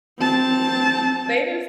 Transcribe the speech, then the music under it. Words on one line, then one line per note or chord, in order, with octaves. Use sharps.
They just
C4 A5